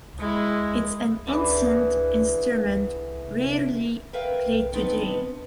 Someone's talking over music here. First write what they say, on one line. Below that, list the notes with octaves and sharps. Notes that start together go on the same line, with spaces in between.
It is an ancient instrument rarely played today.
G#3 E4
D3 E3 G#4
A#4 B4 E5 F5 G5
D#3 B3 C4 D4 D#4 B4